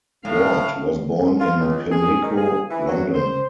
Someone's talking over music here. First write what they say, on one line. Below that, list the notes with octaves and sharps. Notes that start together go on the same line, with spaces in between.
Ward was born in Pimlico, London.
A2 F5
F4
C#2
G#4
D#3
G#4
E3
F#3
C5